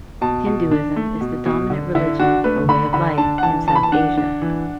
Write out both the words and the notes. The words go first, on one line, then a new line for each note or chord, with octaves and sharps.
Hinduism is the dominant religion, or way of life, in South Asia.
B2 A5
B2
D4
A3
B2
B2
D3
D3 E4
D4 F#4
A3 B4
D3 B5
D3 B5
D4 A5
F#5
E3 A5
E3 A5
B5
A5
D4 F#5
D4
E3